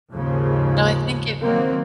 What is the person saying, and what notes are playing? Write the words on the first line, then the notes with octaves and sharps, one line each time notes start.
No. I think if
D#2 G#2 C#3 F3
D#3 F#3 A#3 C4